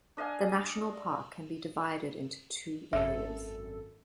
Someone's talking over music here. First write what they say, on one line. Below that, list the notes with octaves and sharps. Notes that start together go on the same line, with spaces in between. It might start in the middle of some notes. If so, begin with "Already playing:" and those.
The national park can be divided into two areas.
D4 D#5 F5 G#5
G#1 F#2 A4 E5